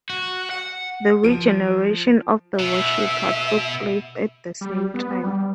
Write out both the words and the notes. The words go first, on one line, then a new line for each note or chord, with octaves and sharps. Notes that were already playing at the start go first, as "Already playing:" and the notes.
The regeneration of the worshipper took place at the same time.
F#4
F#5
F3 D7 D#7
B2 E5
G3
B3
G3